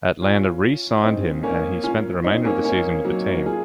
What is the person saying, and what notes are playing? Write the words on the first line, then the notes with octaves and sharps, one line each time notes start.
Atlanta re-signed him, and he spent the remainder of the season with the team.
C#4 F4
C4 D#4
A#3 C#4
C#4 F4
C4 D#4
A#3 C#4
A#3 C#4
F#3 A#3
F4 G#4